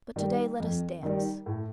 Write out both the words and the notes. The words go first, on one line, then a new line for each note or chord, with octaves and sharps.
But to-day let us dance.
D#3 G3
F2
D#3 G3
A2